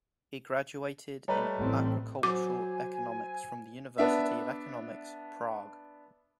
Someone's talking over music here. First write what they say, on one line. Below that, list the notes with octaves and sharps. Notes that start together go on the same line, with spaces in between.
He graduated in agricultural economics from the University of Economics, Prague.
G3 A3 B4 C#5 D#5 A#5
A1 A2 C4
F#3 C5 G#5 D6
B3 D4 E5